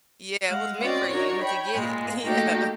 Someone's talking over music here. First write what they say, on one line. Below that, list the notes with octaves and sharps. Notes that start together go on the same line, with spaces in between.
Yeah. It was meant for you to get it. Yeah.
G#3 F5 F#5
C4 C#4 F#4 D5 D#5
D4 D#4 F#4 A#4 C#5
C#5 G5 B5
A#2 G#3
A3 A#3 D#4 F#4 G4 A4